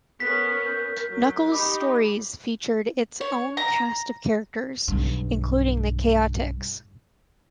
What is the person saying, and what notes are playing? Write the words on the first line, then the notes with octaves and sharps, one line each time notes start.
Knuckles' stories featured its own cast of characters, including the Chaotix.
B3 C#4 A#4 B6
G6
F#3
D#4 G4 B5 D6
C#5
A#5
B1 G2